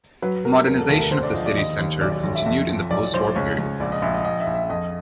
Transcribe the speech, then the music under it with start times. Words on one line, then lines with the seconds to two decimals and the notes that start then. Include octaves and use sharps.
Modernisation of the city centre continued in the post-war period.
0.22 F#3 B4
0.45 F#3 A#4
0.67 E1 A#4
0.78 A4
0.89 D2 A4
1.00 A#4
1.11 D3 C5
1.23 D5
1.34 F3 D#5
1.46 D5
1.57 D#2 D#5
1.79 D#2
2.01 B1 D5
2.12 D5
2.23 B1
2.35 E5
2.46 F2 E5
2.69 F3
2.91 B1 D5
3.14 B1 C5
3.35 C#2 C#5
3.59 C#2
3.80 A#1 D5
3.92 D#5
4.02 A#1 E5
4.14 D#5
4.25 A#1 D#5
4.40 E5
4.47 A#1
4.54 E5
4.69 F2 D#5